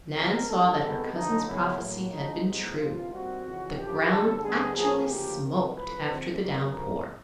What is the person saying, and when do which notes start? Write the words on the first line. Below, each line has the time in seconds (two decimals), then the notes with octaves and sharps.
Nan saw that her cousin's prophecy had been true; the ground actually smoked after the downpour.
0.13 C#2 B2 G#3 C4 A#4
0.46 D2 D3 G3 A4
0.79 C2 C3 D#3 G#3 B3
1.12 F#2 D3 F3 D#4
1.45 F#2 C#3 F#3 B3 E4
1.78 A2 F#3 A#3
2.10 D2 D3 F3 G#3 D#4
2.43 A2 F3 G#3 B3 D#4
2.76 C2 C3 E3 G#3 F4
3.09 D#2 D#3 G3 C4 F#4
3.42 F2 C#3 E3
3.75 F#2 D3 F3 G4
4.08 F#2 D3 G3 A4
4.40 D#2 D3 G3 B3 G#4
4.74 A2 F3 A#3 G#4
5.06 D2 C#3 F3 A#3 G4
5.40 C2 C3 D#3 A#4
5.72 A1 A2 F3 B4
6.05 G#2 F3 G#3 C4
6.38 G#1 F#2 D#3 F#3 A#3
6.70 G2 D3 F3 G#3 C4 A#4